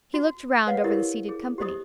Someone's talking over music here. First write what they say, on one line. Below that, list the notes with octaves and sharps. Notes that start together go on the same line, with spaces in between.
He looked round over the seated company.
F#4
B4 C#5 F5 F#5
E4 G4 A#4 C#5 D#5
G#4
G4 C5 D#5 D#6